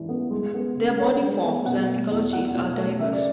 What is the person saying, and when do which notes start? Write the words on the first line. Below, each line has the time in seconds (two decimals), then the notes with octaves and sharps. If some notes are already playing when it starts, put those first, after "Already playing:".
Their body forms and ecologies are diverse.
Already playing: G#2 E3 D4
0.09 B3
0.31 G#3
0.54 B3
0.76 C#3
0.98 D4 C#5
1.21 G#3
1.43 B3
1.65 B2 F#5
1.88 A3
2.11 E2
2.32 E2 F#5
2.55 B2
2.77 A3
2.99 C#3 E5
3.13 D5